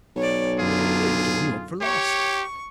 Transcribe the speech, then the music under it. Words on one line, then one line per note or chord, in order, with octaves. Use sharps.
I had given you up for lost.
B1 C#5 D5
F#2 D3 F4 G#4
G4 C#5 C#6